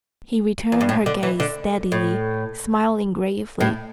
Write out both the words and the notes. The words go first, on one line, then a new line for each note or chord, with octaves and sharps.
He returned her gaze steadily, smiling gravely.
E2
G2
A2
D3
E3
D3
A2
A2